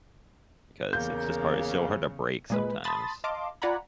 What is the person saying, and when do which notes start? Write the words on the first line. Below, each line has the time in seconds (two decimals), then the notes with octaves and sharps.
because it's just hard it's so hard to break sometimes.
0.93 E2 C#3 A#3 G6
2.50 A#2 G#3 B4
2.84 A5 B5 C6 D#6 A6
3.24 D#5 F5 A5 C6 D6
3.62 F4 D5 F#5 G#5 A#5 B5